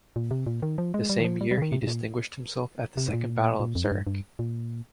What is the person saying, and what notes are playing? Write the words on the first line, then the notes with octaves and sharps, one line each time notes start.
The same year he distinguished himself at the Second Battle of Zurich.
A#2
C3
A#2
D#3
F3
G#3
G3
D#3
F3
G3
G3
C#3
D#3
C3
C3
A#2
C3
G#2
A#2
A#2
F2
G#2
G2
G2
A#2